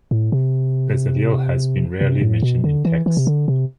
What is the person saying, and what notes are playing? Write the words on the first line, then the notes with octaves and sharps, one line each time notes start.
Bezaliel has been rarely mentioned in texts.
A2
C3
C3
A2
B2
D3
E3
E3
C3
D3
C3